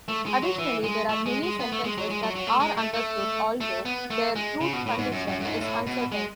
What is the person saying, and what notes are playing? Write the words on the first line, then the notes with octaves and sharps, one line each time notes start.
Additionally, there are many sentences that are understood although their truth condition is uncertain.
A3
G#3
F#3
E3
G#3
A3
G#3
G#3
B3
A3
G#3
F#3
G#3
F#3
F#3
A3
G#3
A3
A3
A3
B3
A3
G#3
C#3
B2
A2
G#2
F#2
F#2
F#2
G#2
A2
B2
G#3